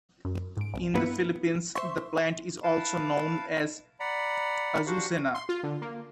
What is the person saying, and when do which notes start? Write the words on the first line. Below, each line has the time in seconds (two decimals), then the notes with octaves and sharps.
In the Philippines, the plant is also known as "azucena".
0.25 F#2
0.57 G#2 D7
0.74 C2
0.94 G2 A#3 B3 E4 B4 C#7
1.75 C5 E5 C6 C#6
2.63 E4 B4 F5 A5
4.00 D5 F#5 A#5 B5
4.86 D4 F#4 G4 C5 F5 F#5
5.34 C6
5.49 F4
5.63 D3
5.82 A#3